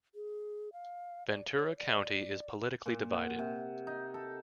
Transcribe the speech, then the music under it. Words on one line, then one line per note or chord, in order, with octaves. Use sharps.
Ventura County is politically divided.
G#4
F5
D5
C#5
D5
A#2
F#5
C3
D#4
A4